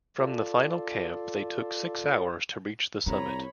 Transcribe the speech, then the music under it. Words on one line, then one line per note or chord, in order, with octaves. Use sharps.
From the final camp they took six hours to reach the summit.
F4 A4 D5
C2 C4 C#5 A#5 B5